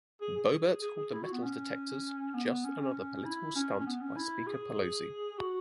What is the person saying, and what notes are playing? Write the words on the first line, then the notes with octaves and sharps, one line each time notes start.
Boebert called the metal detectors "just another political stunt by Speaker Pelosi".
G#4
G#4
G#4
G#4
G#4
E4
F#4
B3
C#4
B3
C#4
C#4
E4
C#4
C#4
B3
C#4
E4
G#4
F#4